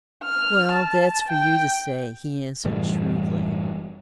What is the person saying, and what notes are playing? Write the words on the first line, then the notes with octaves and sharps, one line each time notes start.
"Well, that's for you to say," he answered shrewdly.
F6
A5
G5
F#1 A2 E3 G3